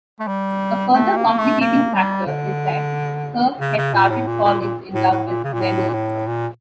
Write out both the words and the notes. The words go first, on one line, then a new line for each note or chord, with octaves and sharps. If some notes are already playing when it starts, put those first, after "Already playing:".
A further complicating factor is that Kirk has started falling in love with Lenore.
A3
G3
A3
A#3
A3
A#3
G3
D3
C#3
C#3
A#2
A2
A#2
A#2
A#2
A2
A2
A#2
C#3
A#2
A2
A#2
A2
A#2